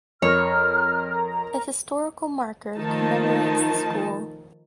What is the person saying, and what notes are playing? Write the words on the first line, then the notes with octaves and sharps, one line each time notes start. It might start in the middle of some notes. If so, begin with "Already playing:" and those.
A historical marker commemorates the school.
F2 A#4 C#5 A#5 F6
D#3 F3 A3 D#4 A5